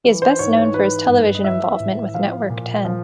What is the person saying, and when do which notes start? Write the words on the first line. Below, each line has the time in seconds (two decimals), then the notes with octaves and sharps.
He is best known for his television involvement with Network Ten.
0.04 E3
0.22 C5
0.39 G#2 C#5
0.57 C#5
0.74 E3 B4
1.09 G2
1.35 D#5
1.44 E3 E5
1.80 A2
2.14 F3 F5
2.49 A#2
2.85 F3